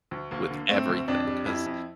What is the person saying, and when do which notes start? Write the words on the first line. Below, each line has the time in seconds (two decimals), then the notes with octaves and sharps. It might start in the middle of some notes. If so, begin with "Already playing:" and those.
with everything 'cause,
0.11 D2
0.31 D2 A#3
0.51 D3
0.69 A3 C4
0.89 D2
1.08 F2 D4
1.27 G3
1.46 F2 E4
1.66 F2